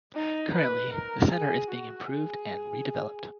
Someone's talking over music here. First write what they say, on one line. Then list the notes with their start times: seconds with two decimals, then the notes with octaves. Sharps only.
Currently, the centre is being improved and redeveloped.
0.16 D#4
0.55 B4
0.93 A#4
1.32 G#4
1.71 F#4
2.10 G#4